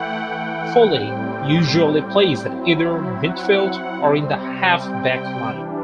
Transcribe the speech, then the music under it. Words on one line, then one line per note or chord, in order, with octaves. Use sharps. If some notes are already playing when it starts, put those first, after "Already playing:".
Foley usually plays at either midfield or in the half-back line.
Already playing: E3 A3 E4 F#5 G5
G5
A2 G3 C4
F#3 C4 E4
F#5
C3 G3 C4
G5
E3 G3 D4